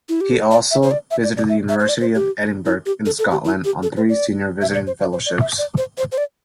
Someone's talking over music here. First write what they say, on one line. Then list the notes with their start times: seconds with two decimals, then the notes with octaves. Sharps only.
He also visited the University of Edinburgh in Scotland on three Senior Visiting Fellowships.
0.09 E4
0.21 G4
0.32 A4
0.51 D5
0.71 E5
0.83 C5
0.91 D5
1.11 E5
1.24 D5
1.37 D5
1.49 E5
1.69 E5
1.80 C5
1.89 D5
2.01 C5
2.15 G4
2.66 E4
2.86 G4
3.06 A4
3.19 A4
3.31 G4
3.45 E4
3.64 G4
3.83 A4
3.97 C5
4.09 D5
4.61 E5
4.74 D5
4.87 C5
5.01 D5
5.13 C5
5.26 D5
5.40 E5
5.58 D5
5.78 C5
5.98 C5
6.12 C5
6.18 D5